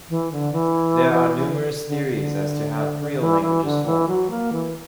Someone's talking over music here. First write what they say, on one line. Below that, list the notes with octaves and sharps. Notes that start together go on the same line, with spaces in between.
There are numerous theories as to how creole languages form.
E3
D3
E3
D3
D3
D3
E3
E3
D3
E3
F#3
A#3
E3